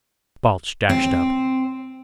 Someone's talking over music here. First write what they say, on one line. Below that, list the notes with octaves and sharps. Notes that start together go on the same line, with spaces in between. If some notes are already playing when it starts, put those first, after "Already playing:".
Balch dashed up.
C4